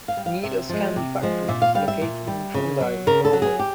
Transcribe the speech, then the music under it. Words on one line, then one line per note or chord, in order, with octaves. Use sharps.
Nidar's candy factory is located in Trondheim, Norway.
F5
G3
F5
C3 E5
F3 G#3
C3
F3 G#3
A#2 E5
F5
G3 F5
E5
A#2
G3
C#3
F#3
C#3 A#4
A4
F#3
G#4
G4